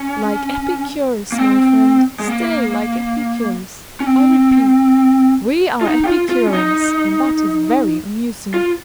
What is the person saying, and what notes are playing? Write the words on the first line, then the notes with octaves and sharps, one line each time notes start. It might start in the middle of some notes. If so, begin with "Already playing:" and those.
"Like Epicurus, my friend, still like Epicurus; I repeat, we are Epicureans, and that is very amusing."
Already playing: C#4
A#3
C4
G#3
A#3
C#4
C4
F4
D#4
G4
F4
F4
C#4
D#4
F4